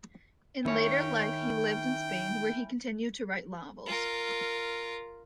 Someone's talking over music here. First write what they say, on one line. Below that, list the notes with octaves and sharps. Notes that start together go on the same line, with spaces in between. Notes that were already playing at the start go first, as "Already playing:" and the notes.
In later life he lived in Spain, where he continued to write novels.
D#3 C#4 E4 C#5 G5
F4 A#4